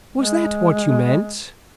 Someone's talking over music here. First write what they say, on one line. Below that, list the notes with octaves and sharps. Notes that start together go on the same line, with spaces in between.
"Was that what you meant?"
G#3